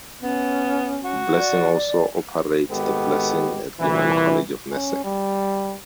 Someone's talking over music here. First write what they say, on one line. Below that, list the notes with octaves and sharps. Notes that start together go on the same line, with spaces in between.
Blessing also operates the Blessing Rieman College of Nursing.
B3 C#4
F#4
D5
G#1 G#3 B3 G4 A4
C2 A#2 E3
C#4
G3